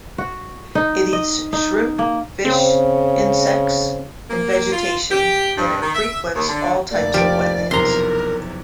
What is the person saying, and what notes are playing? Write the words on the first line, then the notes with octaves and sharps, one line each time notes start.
It eats shrimp, fish, insects, and vegetation, and it frequents all types of wetlands.
F#4
D#4
D#5
D#4
A#3
C#3 C4
A#3
F4
G4
G2
D#3
E5
D#2
D3
F1 A3 A#3 D5
F3 G4 D7
B1 E2 C3 A#4 A#5 C6